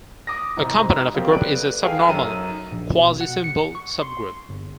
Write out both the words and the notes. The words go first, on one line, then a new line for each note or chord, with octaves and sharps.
A component of a group is a subnormal quasisimple subgroup.
D6 D#6 A#6
E2 G#2 C3
F3 F#3 A#3 C4 G4
A3 B4 D5 F#6 D7
G#4 A4 B4 F5 G5 G#5
F#2 D#4 D#7
A#1
B2
F#5
C#7
C#6
C6
G1